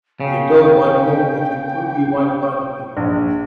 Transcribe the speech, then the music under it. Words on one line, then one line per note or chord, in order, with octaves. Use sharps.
The adult white morph has completely white body plumage.
C#3 G5
A#1